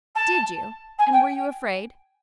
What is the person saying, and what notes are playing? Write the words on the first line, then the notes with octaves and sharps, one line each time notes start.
"Did you? and were you afraid?"
A5
G#5
G5